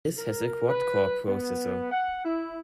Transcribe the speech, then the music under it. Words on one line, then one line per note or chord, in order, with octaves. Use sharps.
This has a quad-core processor.
A#4
B4
B3
F#5
E4